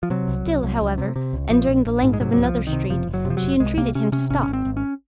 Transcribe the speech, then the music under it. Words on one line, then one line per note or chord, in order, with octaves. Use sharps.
Still, however, and during the length of another street, she entreated him to stop.
F3
C3 F#3
C2
C2
C2
C#2
C3
C3
C#2
A#1 F3
A#1
A#1
G#2
G#3
C3 F#3
C2 F#3
F3
C2
D#3
C3
F#1 F3
F#1
F#3
C3
F3
F#3
F#1
C2 G#3
C3 A#3
C3 C#4
C3 C#4
G#1 C#4
G#1 C#4
C4
G#1
C#4